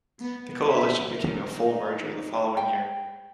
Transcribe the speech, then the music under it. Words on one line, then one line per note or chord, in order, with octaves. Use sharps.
The coalition became a full merger the following year.
B3
E5
A#4
D#4
G5